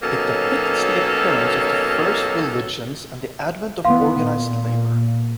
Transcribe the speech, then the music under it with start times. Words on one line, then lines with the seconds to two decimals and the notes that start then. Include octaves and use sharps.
It depicts the appearance of the first religions and the advent of organized labor.
0.02 B2 D#3 F#3 A#3 C#4 A4
3.85 E3 B3 F5 C6
4.21 A#2